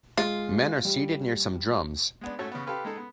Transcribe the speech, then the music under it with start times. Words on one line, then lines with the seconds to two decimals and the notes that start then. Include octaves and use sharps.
Men are seated near some drums.
0.17 G#3 F4
0.85 G3
2.21 G#3 B3 D4
2.39 G#2 A3 C#4 F#4 C#6
2.52 C#3 B3
2.66 G4 A4 B4 F5 C6 F6
2.85 G#3 D#4 A4
2.97 B3